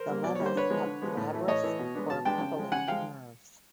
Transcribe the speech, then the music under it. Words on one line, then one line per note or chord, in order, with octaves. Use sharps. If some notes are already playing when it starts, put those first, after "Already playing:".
The lemmas have glabrous or papillate nerves.
Already playing: A#4 C5
G3 A#3
B2 D5
G3 A#3 C#5
C5
D3 B4 C#5
F3 G#3 B3
D3
F3 G#3 B3
A2
E3 A3
A2 C#5 D#5
E3 A3
B2
G#3 B3 D4
B2 A5
G#3 B3 D4 G5 A5
C#3
F3 G#3
C#3 F#5 G#5
F3 G#3 F5 G5